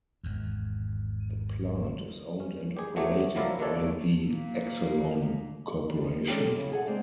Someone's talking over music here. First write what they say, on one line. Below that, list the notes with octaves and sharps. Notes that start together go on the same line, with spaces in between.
The plant is owned and operated by the Exelon Corporation.
G#1 E2
C#4
G4 G#4
F#3 A3 G4 G#4 C#5
F3 F#3 C4 E4 A#4 D5
D#2 D#3 F3 D4 A4 C#5
A#2
D3 G#3 C#4 G4 A4 A#4
B2 F4
C#3
G#4 A4 E5 F#5
G#3 A#3 C4 D4 C5 D5